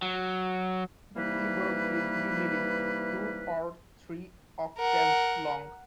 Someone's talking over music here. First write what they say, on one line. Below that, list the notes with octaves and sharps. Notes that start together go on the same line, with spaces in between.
The keyboard is usually two or three octaves long.
F#3
C3 E3 G3 A#3 D#4 B4
A#4 F#5